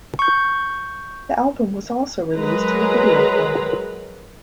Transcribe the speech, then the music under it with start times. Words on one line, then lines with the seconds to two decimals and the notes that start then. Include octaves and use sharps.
The album was also released on in video format.
0.19 C#6 G6
2.34 F#3 G#3 A#4 B4 A#5